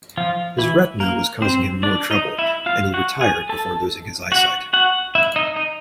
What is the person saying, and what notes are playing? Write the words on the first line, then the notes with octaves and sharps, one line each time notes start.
His retina was causing him more trouble, and he retired before losing his eyesight.
F3 F4
E3 E4
A#3 A#4
C4 C5
D4 D5
D#4 D#5
E4 E5
F4 F5
F#4 F#5
G#4 G#5
A4 A5
F#4 F#5
F#4 F#5
E4 E5
D#4 D#5
D#4 D#5